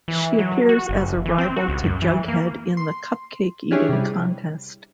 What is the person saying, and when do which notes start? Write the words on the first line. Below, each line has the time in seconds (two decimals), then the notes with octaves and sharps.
She appears as a rival to Jughead in the cupcake-eating contest.
0.08 E3
0.39 F#3
0.69 F#4
0.89 F#1
1.26 E3
1.38 C4
1.56 F#4
1.68 C#2
1.83 F#2
2.02 E3
2.28 A#3
2.77 C6
3.71 C#4 D4 E4 G4 G#4 C#5
3.89 C3 G3